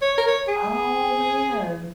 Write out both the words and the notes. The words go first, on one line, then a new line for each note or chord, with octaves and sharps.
Oh, man.
C#5
A#4
C#5
G#4